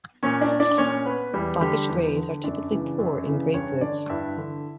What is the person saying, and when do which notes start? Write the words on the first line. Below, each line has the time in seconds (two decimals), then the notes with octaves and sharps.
Vakhsh graves are typically poor in grave goods.
0.23 A#2 C#4 C#5
0.41 D4 D5
0.60 D4 D5
0.78 A#2 C#4 C#5
1.06 B3 B4
1.33 E2 G3 G4
1.61 D3 G3 G4
1.89 E2
2.16 D3
2.44 F#2 D4 D5
2.71 C#3 E3
2.99 F#2
3.26 C#3 E3
3.54 G2 C#4 C#5
3.81 D3 D4 D5
4.10 G2 E4 E5
4.37 D3